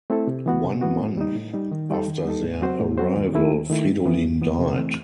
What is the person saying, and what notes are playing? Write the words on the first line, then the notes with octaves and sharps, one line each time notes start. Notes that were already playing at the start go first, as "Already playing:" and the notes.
One month after their arrival, Fridolin died.
A3 C4 E4 A4
C3
E3 B3 F#4
C3
E3 B3 F#4
A2
G3 D#4
A2
G3 D#4
D#3
G3 D#4 A4
D#3
G3 D#4 A4
A2
F#3 C4 F#4 C5
A2
F#3 C4 F#4 C5
D#2
D#3 A3 E4
D#2
D#3 A3 E4
G2
E3 B3
G2
E3 B3
C3
E3 A3 C4